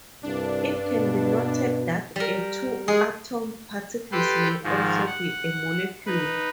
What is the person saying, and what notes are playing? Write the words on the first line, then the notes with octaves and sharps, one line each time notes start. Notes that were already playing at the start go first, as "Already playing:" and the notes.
It can be noted that a two atom particle may also be a molecule.
C2 G2 D4
B2
G3 A#4
G#3 G#4
G4 A4 B4 G5 C6
G#2 D#3 F3
F#5
D#4 B4